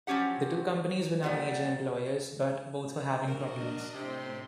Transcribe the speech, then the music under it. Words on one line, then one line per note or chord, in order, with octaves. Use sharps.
The two companies were now major employers, but both were having problems.
F3 F#3 C#4 G4 F#5
A#2 F3 G3 F#5
D4 F#4 A#4 D#5
A2 C3 C4 C6